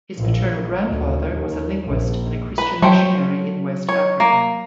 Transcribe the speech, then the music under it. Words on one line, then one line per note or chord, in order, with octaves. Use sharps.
His paternal grandfather was a linguist and a Christian missionary in West Africa.
A#1
D2
D#2
A#1
B4
F#3 A3 C5 G5
C#5
A#3